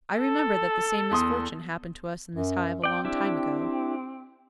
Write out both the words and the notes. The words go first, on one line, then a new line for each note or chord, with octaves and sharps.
I remember that the same misfortune happened to us in this hive a long time ago.
A4
E2 C6 D#6
F#2
C4 D5 G5
D4 E4 G4